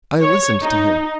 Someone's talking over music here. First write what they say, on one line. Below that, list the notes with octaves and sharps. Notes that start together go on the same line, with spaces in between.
I listened to him.
C#5
D#4